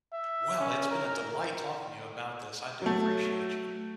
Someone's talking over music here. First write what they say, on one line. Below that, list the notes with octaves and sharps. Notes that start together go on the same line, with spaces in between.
Well, it's been a delight talking to you about this, I do appreciate you.
E5
C#4
A#4
F#3 A3